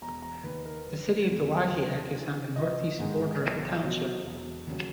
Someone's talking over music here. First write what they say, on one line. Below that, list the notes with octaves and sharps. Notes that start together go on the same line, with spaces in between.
The city of Dowagiac is on the northeast border of the township.
E1 A#5
A#5
D#2 D#3 B4
A#4
F#1 B4
E2 B2 F#3
D#2
C#3 E3
A#1 D#5
G#2 D#3 G#3
B1
B2 F#3
E1
D#2 C#3 F#3